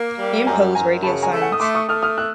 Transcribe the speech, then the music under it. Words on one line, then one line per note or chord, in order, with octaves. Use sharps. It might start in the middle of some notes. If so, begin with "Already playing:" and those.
Impose radio silence.
Already playing: A#3
G3
F#2 G#5 A#5
F#2 G#5 A#5
C#3 A5 B5
G#5 A#5
A3
F#5 G#5
D#6
A3 C6 D6
C#6 D#6
A3 D#6 F6
D#6 F6
E6 F#6